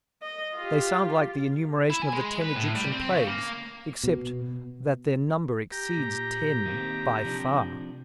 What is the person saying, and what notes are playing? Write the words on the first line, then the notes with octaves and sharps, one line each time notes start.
They sound like the enumeration of the ten Egyptian plagues, except that their number exceeds ten, by far.
D#5
F4 G4
E4
G#5
G#3
B4
A2
G3
C4
C#3
A#3
B2
G4 A#5
A#2
D#3 A#3 C4
C3 F3 D4